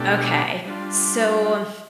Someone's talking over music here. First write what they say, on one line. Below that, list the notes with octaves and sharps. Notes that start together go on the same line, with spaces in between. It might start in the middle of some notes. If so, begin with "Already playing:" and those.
Okay. So, um
Already playing: B2 A3 D4 G4
G3 D4 F4